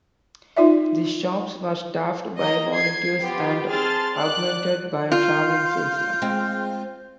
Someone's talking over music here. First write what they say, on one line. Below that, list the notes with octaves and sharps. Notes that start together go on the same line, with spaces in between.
These shops were staffed by volunteers and augmented by travelling salesmen.
D#4 F4 D5 E5
A#3 D#5 A#5
G#6 C7
B3 F4 G4
C4 G#4 A5 C6 F6 A6
D5 F#6
F4 F6 G6
G#3 C4